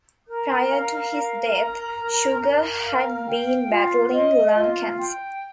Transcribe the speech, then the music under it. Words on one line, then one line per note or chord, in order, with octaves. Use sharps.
Prior to his death, Sugar had been battling lung cancer.
A#4
F5
A#4
A#5
A#4
A#4
F5
G5
F4
D#5
F4
G5